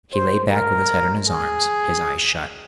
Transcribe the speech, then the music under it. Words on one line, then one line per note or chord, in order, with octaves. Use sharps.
He lay back with his head on his arms, his eyes shut.
C5
A#4
G#4